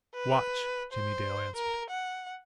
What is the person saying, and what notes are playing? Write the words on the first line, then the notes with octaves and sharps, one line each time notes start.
"Watch!" Jimmie Dale answered.
B4
C5
A#4
F#5